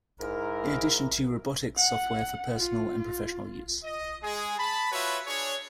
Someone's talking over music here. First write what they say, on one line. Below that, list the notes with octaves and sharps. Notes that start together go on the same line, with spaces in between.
In addition to robotics software for personal and professional use.
G#2 E4 A#4
F#5
F4
D#5
G#3 G#4
A5 B5
F4 F#4 B4 C#5 E5
D4 G#4 C#5